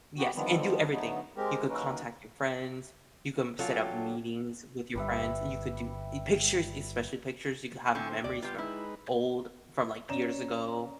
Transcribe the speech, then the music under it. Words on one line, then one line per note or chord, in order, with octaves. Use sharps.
Yes, and do everything. You could contact your friends, you come set up meetings with your friends, you could do i pictures, especially pictures, you could have memories from old from like, years ago,
F#3 B3 F#4 G4
D3 D#3 F3 G3 B3 C4
D3 F#3 A3 B3 D#4
G#3 C4 G4 A#4
F#3 A#3 C#4 D#4 A#4 B4
D3 F#3 C#4 F4 G4 A4
G1 G3 B4 E5
D3 C4 E4 A4 G#5 C#6
C5
D2 D5
G3 B3 F4
G#3 D#4 E4 B4
C#4 D5 A#5 E7